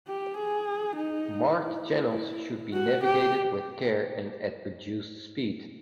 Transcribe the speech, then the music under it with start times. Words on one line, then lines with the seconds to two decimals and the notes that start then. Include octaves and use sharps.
Marked channels should be navigated with care and at reduced speed.
0.08 G4
0.38 G#4
0.96 D#4
1.55 E4
2.74 F#4
3.04 G4